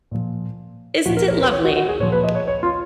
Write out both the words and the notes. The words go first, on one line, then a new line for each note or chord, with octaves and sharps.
Isn’t it lovely?
A#2 F3
A#2 F3 F#4
A#4
A#4
B4
C#5
F#4
F#4
G#4
A#2 F3 C#5
B4
D#5
C#5
C#5
F4